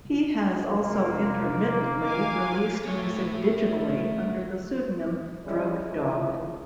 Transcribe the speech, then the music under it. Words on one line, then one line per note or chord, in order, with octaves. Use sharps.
He has also intermittently released music digitally under the pseudonym Drug Dog.
F2 C3 A#3
F5 G#5 D6
A3 C#5
G3 G#3 C#4 E4
C#2 E3 F3 A3